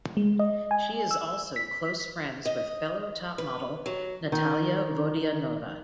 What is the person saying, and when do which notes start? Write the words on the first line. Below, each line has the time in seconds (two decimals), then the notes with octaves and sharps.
She is also close friends with fellow top model Natalia Vodianova.
0.17 G#3
0.39 D#5
0.71 G#5
1.11 E6
1.56 B6
2.45 D#5
3.38 B4
3.86 F#3
4.32 D#3